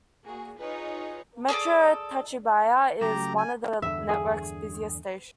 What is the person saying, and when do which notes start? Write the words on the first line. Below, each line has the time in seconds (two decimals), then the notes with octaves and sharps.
Metro Tacubaya is one of the network's busiest stations.
0.22 A#3 F#4 G#4
0.57 D#4 F4 G#4 B4 C#5
1.49 G#4 A4 B4 D5
3.01 C#3 F#3 A3 G4 A#5
3.38 G#5
3.82 E2 G2 D3 E5
4.09 G#4